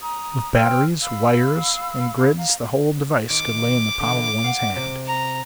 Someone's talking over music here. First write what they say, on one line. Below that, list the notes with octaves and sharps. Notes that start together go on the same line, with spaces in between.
With batteries, wires and grids, the whole device could lay in the palm of one's hand.
A#5 D#6
C5 G5 E6 F6
F5 B5 E6
F5 A#5
D#3 D6
D3 E3
F5 F#5
C3
A#5